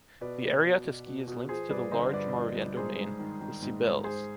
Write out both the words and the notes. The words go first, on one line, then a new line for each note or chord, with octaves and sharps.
The area to ski is linked to the large Maurienne domain, the Sybelles.
B2 B4 D5
B2
B2
B2
B2
B2
F3 G#4 C5
G2 B4 D5
D3 C5 D#5
G2 B4 D5
F3
G2
G#2 G#4 C5
G#2
D#3
D#3
G#2
G#2
G#2 G#4 C5